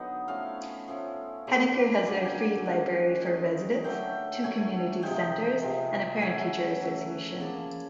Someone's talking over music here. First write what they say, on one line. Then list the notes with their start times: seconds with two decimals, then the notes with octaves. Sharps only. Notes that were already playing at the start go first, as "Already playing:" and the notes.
Henniker has a free library for residents, two community centers, and a Parent-Teacher Association.
Already playing: D3 F#3 B3 D#4
0.28 F3 A3 C#4 F5
0.88 F3 A3 C#4
1.47 C#3 F#3 A#3 D4
2.06 C#3 F#3 A#3 D4 G#5
2.16 G5
2.25 G#5
2.66 D#3 G#3 C#4 F#5
3.25 D#3 G#3 C#4
3.84 D3 F#3 A3 G5
4.44 D3 F#3 A3 G#5
5.03 C3 F3 G#3 G5
5.62 C3 F3 G#3
6.22 C#3 F#3 A3 G#5
6.81 C#3 F#3 A3
7.40 C#3 F3 A#3 A5